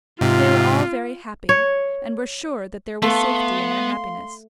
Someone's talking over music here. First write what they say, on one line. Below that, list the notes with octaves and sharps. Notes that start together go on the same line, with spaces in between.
But they were all very happy, and were sure that there was safety in their happiness.
G#2 C3 F4
C#5
A3 B3 F5 C6